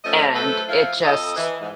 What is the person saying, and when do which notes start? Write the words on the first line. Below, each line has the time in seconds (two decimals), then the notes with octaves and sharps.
and it just
0.04 F3 A3 C#4 D#5
0.34 F#3 A3 A4 B4 C5
0.68 F3 E4 F5
1.04 F2 A4 D#5
1.36 E3
1.61 G#2